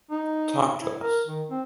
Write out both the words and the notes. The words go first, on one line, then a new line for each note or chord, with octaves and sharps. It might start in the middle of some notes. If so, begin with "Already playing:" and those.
Talk to us.
D#4
E4
A#4
D#3
C4